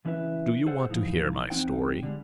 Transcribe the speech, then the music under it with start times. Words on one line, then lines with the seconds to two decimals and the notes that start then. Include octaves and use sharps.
"Do you want to hear my story?"
0.05 C#2 E3 C#4 E4 B4 E5
0.66 G#4 A4 C5 F#5
0.89 A2 D3 E3 F3 D#4
1.50 E2 C4 D#4 F#5 G5
2.03 D3 G3 G#3